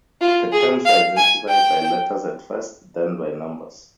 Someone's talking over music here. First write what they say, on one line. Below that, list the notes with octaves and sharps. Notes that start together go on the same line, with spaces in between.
The camps were identified by letters at first, then by numbers.
F4
G#4
F5
G#5
G5